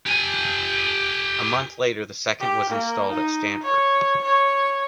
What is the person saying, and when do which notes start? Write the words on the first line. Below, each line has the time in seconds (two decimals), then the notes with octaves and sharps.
A month later the second was installed at Stanford.
0.06 G4 G#5
2.40 G4
2.70 A#3
3.10 D#4
3.63 C#5
4.24 C#5